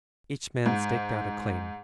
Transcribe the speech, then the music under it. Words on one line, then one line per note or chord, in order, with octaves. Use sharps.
Each man staked out a claim.
G#2